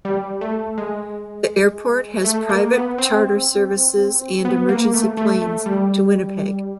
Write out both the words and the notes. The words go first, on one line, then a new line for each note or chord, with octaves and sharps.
The airport has private charter services and emergency planes to Winnipeg.
G3
A3
G#3
A3
A#3
B3
C4
B3
A#3
A3
A3
A3
G3